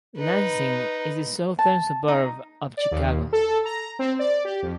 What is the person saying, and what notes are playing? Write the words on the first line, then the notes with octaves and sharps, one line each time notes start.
Lansing is a southern suburb of Chicago.
D#4 B4
A5
D#4
D5
D#2
A4
A#5
C4
D5
G4
F2